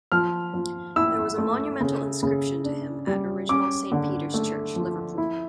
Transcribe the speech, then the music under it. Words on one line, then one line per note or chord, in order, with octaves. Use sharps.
There was a monumental inscription to him at original Saint Peter's Church, Liverpool.
F3 F6
F3
E4 E6
A3
C#3
C#3
D4
G3
C#4 D6
D3
A3
F3
E4